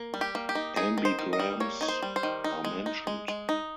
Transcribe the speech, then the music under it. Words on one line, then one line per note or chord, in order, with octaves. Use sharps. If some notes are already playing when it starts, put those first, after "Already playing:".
Ambigrams are mentioned.
Already playing: A#3
G3
G4
A#3
G4
D#4
D#4 G#4
D#3
C5
D#3
D#5
G3
A#3 C#5
D#4 C#5
C5
G3
C5
D#3
D#4
G#3
D#4
G#3
G#3
D#4